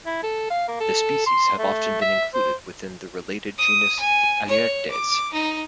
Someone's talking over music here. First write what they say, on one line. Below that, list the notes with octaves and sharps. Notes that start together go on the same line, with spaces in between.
The species have often been included within the related genus "Aleurites".
E4
A4
F5
A#3
A4
C6
A3
E5
C5
D#6
G#5
C#5
D6
D#4